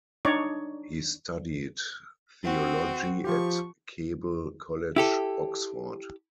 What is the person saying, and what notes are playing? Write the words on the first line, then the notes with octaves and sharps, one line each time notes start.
He studied theology at Keble College, Oxford.
D4 D#4 C#5 D5
C4 F#4
F3 F4 G4 C#6
E4 G4 A4